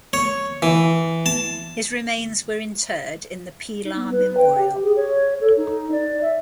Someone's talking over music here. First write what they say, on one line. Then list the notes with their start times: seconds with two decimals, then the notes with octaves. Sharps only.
His remains were interred in the Pilar Memorial.
0.13 C#5
0.62 E3
1.26 A5
3.85 D#4
3.96 B3
4.12 B4
4.37 G5
4.58 G4
4.83 G#4
4.96 C#5
5.41 A4
5.57 D#4
5.92 D5
6.22 E5